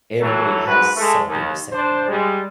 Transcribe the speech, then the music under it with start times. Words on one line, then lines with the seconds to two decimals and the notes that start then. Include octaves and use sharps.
everybody has something to say about it,
0.21 E3 F#3 A3
0.66 G#2 F#4 B4
0.96 G#3 A3
1.27 D#2
1.72 D4 C5
2.07 G3 G#3